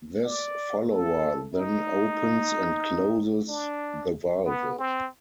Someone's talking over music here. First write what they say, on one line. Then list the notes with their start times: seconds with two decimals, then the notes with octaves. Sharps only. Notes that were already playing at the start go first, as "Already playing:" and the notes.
This follower then opens and closes the valve.
0.24 D5
0.90 A4
1.54 D#4
3.49 D4
4.46 B3
4.78 C4